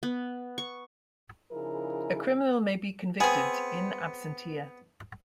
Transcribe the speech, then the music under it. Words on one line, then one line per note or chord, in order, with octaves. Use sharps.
A criminal may be convicted "in absentia".
B3
C#6
C#3 F3 D#4 E4 G#4 A#4
B3 C4 G#4